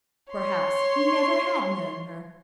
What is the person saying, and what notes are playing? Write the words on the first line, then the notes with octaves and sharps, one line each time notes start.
Perhaps he never had known her.
C#5 C6